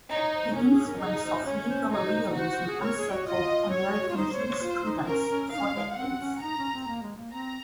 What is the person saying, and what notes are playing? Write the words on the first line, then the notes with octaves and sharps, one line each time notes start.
The influence of legal realism unsettled American jurisprudence for decades.
D#4 C#5 D#5
C#5
C5
C#4 A#4
G#4
A#4
D#4 G#4
G#4
C5
C5
C#4 C#5
C5
D#4 C#5
C5
F#4 C5
C5
G#4
A#4 C#5
G#4
F#4
F4 D#5
C#5
G#4
F#4
F4
D#4 C5
C#5
C#5
F4
D#4
C#4 A#4
C#4
D#4 F5
C#4
G#3
C4 F#5
C#4
D#4 A#5
C#4
C4
A#3
G#3
A#3
C4 A#5